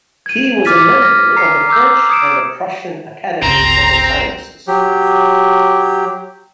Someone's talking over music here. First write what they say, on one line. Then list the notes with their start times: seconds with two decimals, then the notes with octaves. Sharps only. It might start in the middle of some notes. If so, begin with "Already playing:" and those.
He was a member of the French and the Prussian academies of the sciences.
0.26 G#6 D#7
0.65 D6 F6 A6 B6 D#7
1.01 F6 A#6
1.36 A#5 C7 C#7
1.69 A#5 D6 E6 G6
2.09 D#6 G#6 C#7 D7 E7
3.42 G1 C#2 C4 A#5
4.68 F#3 G4